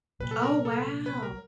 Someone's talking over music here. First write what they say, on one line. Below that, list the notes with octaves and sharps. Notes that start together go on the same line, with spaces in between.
Oh, wow!
C2 A#2 F#3 B4
A4
A#4
A4
B4
A#4